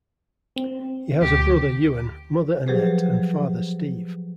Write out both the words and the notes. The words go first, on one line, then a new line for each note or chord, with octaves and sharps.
He has a brother Euan, mother Annette and father Steve.
C4
D2 G4
F3 F#3 G4 G#4 B4 C5